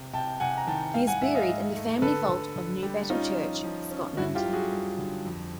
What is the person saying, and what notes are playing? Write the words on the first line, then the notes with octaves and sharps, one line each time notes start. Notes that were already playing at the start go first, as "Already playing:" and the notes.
He is buried in the family vault of Newbattle Church, Scotland.
Already playing: C3
C3 G5 A5
C3 F#5 G#5
A#5
D#3 G5 A5
G#2 F5 G5
F#5 G#5
G#2 E5 F#5
D#5 F5
G#2
A3
D3 A4 B4
D3
D3
G3
C#4 D#4 F4
F3
F3
C#4
G2 E4 F#4
F4 G4
F#3
F#4 G#4
G2
D3
F2